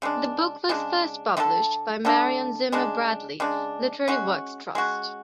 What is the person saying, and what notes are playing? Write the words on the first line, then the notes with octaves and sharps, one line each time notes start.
The book was first published by Marion Zimmer Bradley Literary Works Trust.
C#3 G#3 D4
C#3 G#3 D4
D3 A3 D4 A4
D3 A3 D4 A4
C#3 G#3 D4
C#3 G#3 D4
G#3 C#4 F#4
G#3 C#4 F#4